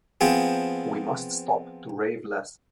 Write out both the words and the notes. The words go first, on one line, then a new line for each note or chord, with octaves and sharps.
We must stop to rave less.
F3 B3 C4 G#4